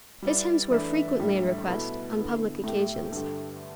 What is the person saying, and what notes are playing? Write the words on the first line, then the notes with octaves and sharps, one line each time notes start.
His hymns were frequently in request, on public occasions.
G3 E4 B4 D5
E3 A3 D4 B4 E5
A2 G3 D4 G4
B2 A3 E4 B4
D3 B3 E4
A2 A3 G4
G2 D3 A3 G4